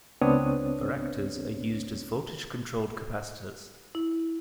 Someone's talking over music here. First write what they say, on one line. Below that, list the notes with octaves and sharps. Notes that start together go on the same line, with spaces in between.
Varactors are used as voltage-controlled capacitors.
C#2 B3 C4 D4 C#5 D#6
E4